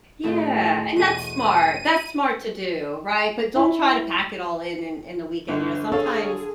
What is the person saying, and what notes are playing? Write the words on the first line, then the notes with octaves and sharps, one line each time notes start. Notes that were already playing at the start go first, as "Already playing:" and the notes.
Yeah, and that's smart, that's smart to do, right? But don't try to pack it all in in in the weekend, you know, sometimes,
D#2 A2 A3 C4 F#4 G#4 D#5 E5
E2 B2 D#7
E4
G1 D3
G#4 A4 C#5 F5